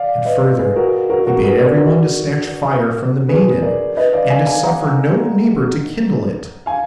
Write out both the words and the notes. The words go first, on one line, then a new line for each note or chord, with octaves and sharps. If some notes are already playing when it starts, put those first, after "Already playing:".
And further, he bade every one to snatch fire from the maiden, and to suffer no neighbour to kindle it.
Already playing: D5 F5
B4 D#5
G#4 B4
F#4 A#4
F#4 A#4
F#4 A#4
G#4 B4
A#4 D5
F#4 A#4
G#4 B4
A#4 D5
B4 D#5
D5 F5
F5 G#5
F5 G#5
F#5 A#5
F5 G#5